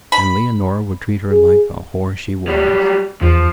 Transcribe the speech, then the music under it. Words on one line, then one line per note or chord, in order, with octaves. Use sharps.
And Leonora would treat her like the whore she was.
B5
G#4
F#3 G3
E2 F3